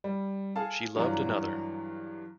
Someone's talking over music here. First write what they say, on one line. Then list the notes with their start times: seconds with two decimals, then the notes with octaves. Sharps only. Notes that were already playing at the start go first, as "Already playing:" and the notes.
She loved another.
0.04 G3
0.56 G#4 A4 F5 A5
0.96 G2 E3 F#3 F4 D5 A#5